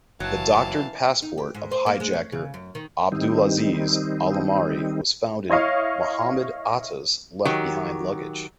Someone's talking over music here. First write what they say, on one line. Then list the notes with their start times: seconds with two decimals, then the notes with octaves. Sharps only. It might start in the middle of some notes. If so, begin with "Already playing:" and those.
The doctored passport of hijacker Abdulaziz Alomari was found in Mohamed Atta's left-behind luggage.
0.20 F#1 E3 F#3 F5 A5
1.22 D#4
1.38 G4
1.55 G#2
1.72 C5
1.86 A#3
2.00 G#3
2.13 C#4
2.32 C#3
2.54 F#2
2.75 D#3
3.12 D#3 G3 C4 D#4
5.50 E4 C#5 D#5 F5 C#6
7.45 D#3 F#3 G4